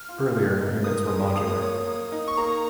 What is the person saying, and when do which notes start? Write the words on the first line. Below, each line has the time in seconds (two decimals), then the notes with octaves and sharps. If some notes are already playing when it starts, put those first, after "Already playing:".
Earlier, units were modular.
Already playing: F6
0.09 F4
0.34 A#2
0.59 D#4
0.84 A#4 D#6
1.11 G#3
1.36 A#3 D#6
1.61 C#5
1.86 A#3
2.12 D#4
2.28 C#6
2.37 A#3 A#5